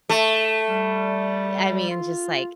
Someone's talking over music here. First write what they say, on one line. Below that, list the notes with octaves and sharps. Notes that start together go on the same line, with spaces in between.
I mean, just like,
A3
G3
F4